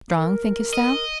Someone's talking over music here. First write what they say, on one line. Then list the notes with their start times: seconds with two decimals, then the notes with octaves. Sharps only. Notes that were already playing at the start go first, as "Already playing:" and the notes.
"Strong, thinkest thou?"
0.17 A#4
0.73 D#5